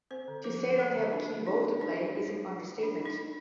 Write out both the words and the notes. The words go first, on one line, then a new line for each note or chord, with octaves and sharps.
To say that they have a key role to play is an understatement.
C4 C5
D3
F3 C5
F3
C4 A#4
D3
C4 D4
D3
D4 D#4
D4
D4 D#4
D4
G3 D#4
G3
D4
G3
G3 D4
D4
D#4
D4